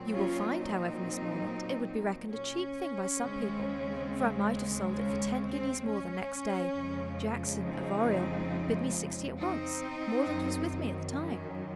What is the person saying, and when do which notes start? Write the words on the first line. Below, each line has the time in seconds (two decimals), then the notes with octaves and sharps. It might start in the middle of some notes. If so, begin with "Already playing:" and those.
"You will find, however, Miss Morland, it would be reckoned a cheap thing by some people, for I might have sold it for ten guineas more the next day; Jackson, of Oriel, bid me sixty at once; Morland was with me at the time."
Already playing: A#2 F#3 C4
0.12 C#4 F4
0.56 C4 D#4
2.33 C#4
3.22 D#2 C#3 G#3 C4
4.98 C#4
5.42 C4
5.86 C#4
6.74 F2 C#3 F3 G#3
7.62 C4 D#4
9.39 C4 D#4
10.27 F#2 D#3 F#3
11.15 C#4